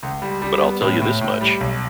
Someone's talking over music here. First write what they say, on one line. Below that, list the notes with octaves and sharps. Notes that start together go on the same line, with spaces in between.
But I'll tell you this much.
C#2
G3
G3
B3
A2
A2
A2
G3
B1